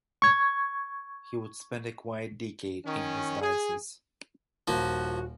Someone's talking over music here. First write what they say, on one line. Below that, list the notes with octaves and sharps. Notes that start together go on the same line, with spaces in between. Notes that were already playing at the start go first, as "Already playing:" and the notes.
He would spend a quiet decade in his diocese.
C#6 G#6
D#3 C#4
G#4
D#1 F3 A#3 F#4